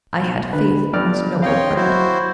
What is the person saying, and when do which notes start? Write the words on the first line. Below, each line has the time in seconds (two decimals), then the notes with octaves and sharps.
"I had faith in his noble heart."
0.18 B1
0.53 D3 B4
0.93 G1 G2 D5 F6
1.42 C4 C#5 D#5 F5 G5 C6
1.76 F#3 E4 F#4 C5